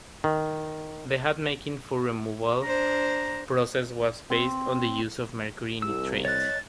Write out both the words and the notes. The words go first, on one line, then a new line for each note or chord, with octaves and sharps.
The hat making fur-removal process was based on the use of mercury nitrate.
D#3
D4 C5 A#5
C4
C2 E6
C#5 D#5 F#6 A6